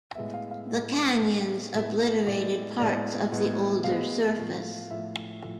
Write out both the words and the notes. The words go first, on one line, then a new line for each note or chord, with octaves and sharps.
The canyons obliterated parts of the older surface.
A2 G#3 B3 E5
F5
F5
A2 G#3 B3
A2 G#3 B3
A2 G#3 B3 E5
A2 G#3 B3 D5
A2 G#3 B3 D5
A2 G#3 B3
A2 G#3 B3 F5
A2 F3 A3
A2 F3 A3 E5
A2 F3 A3